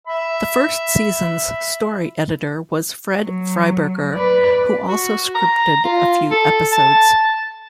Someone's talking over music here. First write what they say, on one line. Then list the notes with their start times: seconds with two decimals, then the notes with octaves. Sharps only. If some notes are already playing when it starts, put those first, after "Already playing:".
The first season's story editor was Fred Freiberger, who also scripted a few episodes.
0.07 E5 B5
3.24 F#3
4.14 B4 D5
4.88 F#4
5.35 A#5
5.85 F4
6.31 A4
6.72 A5